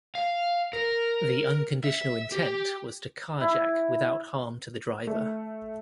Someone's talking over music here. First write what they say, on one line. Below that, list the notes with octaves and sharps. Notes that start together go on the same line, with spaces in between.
The unconditional intent was to carjack without harm to the driver.
F5
A#4
E5
G4
E4
A3